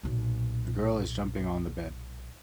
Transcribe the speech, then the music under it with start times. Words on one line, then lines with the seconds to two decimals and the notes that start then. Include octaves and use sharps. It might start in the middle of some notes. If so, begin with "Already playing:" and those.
A girl is jumping on the bed.
0.03 B1 A#2